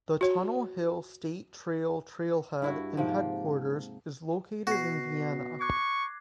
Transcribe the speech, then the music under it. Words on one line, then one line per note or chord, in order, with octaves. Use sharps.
The Tunnel Hill State Trail trail-head and headquarters is located in Vienna.
F#4 C#5
G2 E4 F#4
G#2 C3 F3 A#3
B2 F#4 A#6 C7
C#6 D6 F#6 G#6